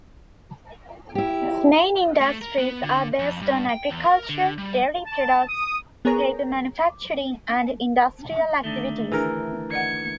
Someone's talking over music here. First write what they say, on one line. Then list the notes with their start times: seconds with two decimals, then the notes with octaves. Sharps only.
Its main industries are based on agriculture, dairy products, paper manufacturing and industrial activities.
1.15 E4 G4
2.21 A3
2.42 A#4
2.58 B3
2.83 D3
3.19 F2
3.41 G2
3.70 G5
3.89 E2
4.05 A#4
4.29 D3
4.58 G3
5.06 A5
5.48 D#6
6.05 B3 G#4 A#4 C#5 A#5
8.64 D3 D#3 A3
9.12 E3 D4 G#4 A#4
9.72 D5 D#5 F#5 G#6 C#7